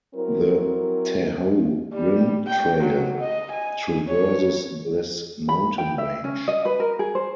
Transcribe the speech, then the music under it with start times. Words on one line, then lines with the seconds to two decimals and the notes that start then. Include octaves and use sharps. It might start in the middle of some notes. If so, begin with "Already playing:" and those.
The Tahoe Rim Trail traverses this mountain range.
0.15 F#3 C4 E4 A#4
1.94 G3
2.47 G5
2.81 F#3
3.20 D#5
3.52 G#5
4.08 C#5
5.49 B5
5.78 G5
5.98 E5
6.24 C#4
6.48 D#5
6.65 B4
6.80 A#4
6.99 G#4
7.15 C5